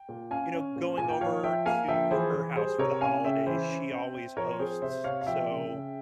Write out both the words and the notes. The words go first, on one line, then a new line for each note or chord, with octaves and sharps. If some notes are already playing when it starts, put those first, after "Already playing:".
you know, going over to her house for the holidays, she always hosts, so
Already playing: G5
A#2
C#4 F5 G#5
C#4
A#2
A#2 G#5
G5
F3 C#5 F5
F3 E5 G5
A#3 F5 G#5
F3 E5 G5
E3 G#4 C5
E3
G3 G#4 C5
C3 A#4 C#5
C#4 F5 G#5
C#3 E5 G5
E3 C5 E5
C#4
C4
C4
F3 A#4 C#5
C4 G#4 C5
C3 C5 E5
C3 C#5 F5
F5
F3 E5 G5
C#3
C#3